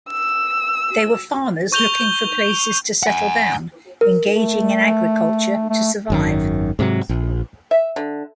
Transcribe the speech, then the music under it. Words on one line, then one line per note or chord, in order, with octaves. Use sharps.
They were farmers looking for places to settle down, engaging in agriculture to survive.
E6
C#6 G6 F7 G7
F#5 G#5
A#4
A3
A3
G#1 F#2 D#3
G#2 C3 F#3
A#1
E5
D3